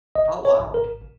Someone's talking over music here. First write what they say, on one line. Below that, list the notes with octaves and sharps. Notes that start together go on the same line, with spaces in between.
Oh, wow.
G#1 D#5
C#5
G#1
A#4